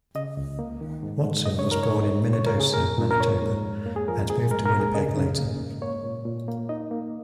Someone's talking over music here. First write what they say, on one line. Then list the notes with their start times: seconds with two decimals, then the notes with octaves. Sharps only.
Watson was born in Minnedosa, Manitoba and moved to Winnipeg later.
0.15 C#3 D#5
0.37 C#2
0.59 A#3
0.81 D#3
1.03 G#2
1.24 G#2
1.46 C#3 D#5
1.59 C#5
1.68 D#4 A#4
1.83 C#5
1.90 D#4
2.12 G#2
2.33 C#3 C#5
2.47 A#4
2.55 C#3 G#4
2.74 A#2 A#4
2.98 A#2
3.11 A#4
3.20 G#2 C#5
3.42 G#2
3.64 F2
3.86 A#3
3.96 G#4
4.08 F3 A#4
4.30 G#2 G#4
4.51 G#3 A#4
4.65 A#4
4.73 A#2
4.80 G#4
4.95 C#3 D#5
5.17 C#3
5.39 A#3
5.60 G#2
5.82 A#3 C#5
6.04 A#2
6.25 A#2
6.48 A#3
6.69 D#4 D#5
6.91 A#3